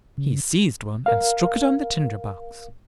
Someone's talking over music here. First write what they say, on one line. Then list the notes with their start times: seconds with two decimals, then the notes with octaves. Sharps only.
He seized one and struck it on the tinder-box.
0.18 C#3
1.06 A#4 F5